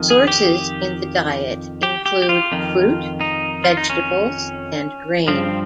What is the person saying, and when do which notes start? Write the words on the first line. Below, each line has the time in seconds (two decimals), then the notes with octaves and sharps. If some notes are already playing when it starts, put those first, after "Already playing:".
Sources in the diet include fruit, vegetables, and grain.
Already playing: F2 D#3
0.10 G#4
0.27 G4
1.83 G4
2.06 G4
2.22 G4
2.29 F4
2.52 F2 D#3
3.21 D#4
3.64 F4
3.77 D#4
3.90 C#4
5.28 G2 F3 C4